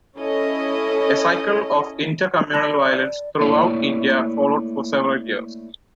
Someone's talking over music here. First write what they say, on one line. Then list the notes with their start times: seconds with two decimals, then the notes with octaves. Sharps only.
A cycle of inter-communal violence throughout India followed for several years.
0.18 C#4 E4 A4 D#5
2.53 D5 A5 B5 A#6
3.40 A3 A#3 E4 C#5 D5